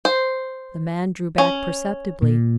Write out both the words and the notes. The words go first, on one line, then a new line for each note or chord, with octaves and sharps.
The man drew back perceptibly.
C5
C#4
A#2